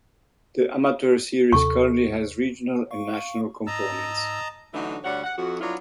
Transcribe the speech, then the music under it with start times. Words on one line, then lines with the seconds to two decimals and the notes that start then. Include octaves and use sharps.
The amateur series currently has regional and national components.
1.53 D#2 C3 A4 C#6
2.91 F5 C#6
3.67 G#2 D#5 A5 A#5 E6
4.74 D3 E3 F#3 A3 D4 D#4
5.04 D2 G2 G3 C#5 F#5
5.24 F#5
5.37 F2 F#4
5.60 F#3 B3 D4 E4 F4 C#5